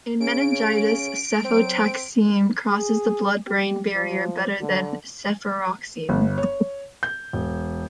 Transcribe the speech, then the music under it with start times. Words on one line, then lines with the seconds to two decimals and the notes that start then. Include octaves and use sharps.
In meningitis, cefotaxime crosses the blood-brain barrier better than cefuroxime.
0.20 C#3 C#4 D7
1.45 F#3 C4
2.71 G#4
3.47 G4
3.95 F3
4.61 D3
6.09 G1
6.38 C#5
7.03 G6
7.33 E1